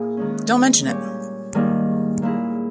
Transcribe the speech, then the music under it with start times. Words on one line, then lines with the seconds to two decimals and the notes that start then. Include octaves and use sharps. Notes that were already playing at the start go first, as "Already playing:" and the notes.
Don't mention it.
Already playing: A#2 A#3 E4 G#4
0.17 D#3 G#3 C#4
0.86 A#2 G3 C#4 G4 C#5
1.54 G#2 D#3 G3 A#3 D#4
2.22 A#2 A#3 E4 G#4